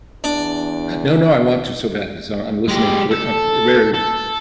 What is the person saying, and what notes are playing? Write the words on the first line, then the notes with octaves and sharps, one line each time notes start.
No, no, I want to so badly, so I'm listening clear uh, eh very
E2 D4
G#3 G4
A4
A4